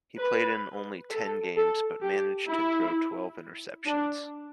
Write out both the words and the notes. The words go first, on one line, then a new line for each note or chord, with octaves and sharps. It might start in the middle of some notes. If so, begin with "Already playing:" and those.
He played in only ten games but managed to throw twelve interceptions.
B4
A4
A4
G4
E4
D4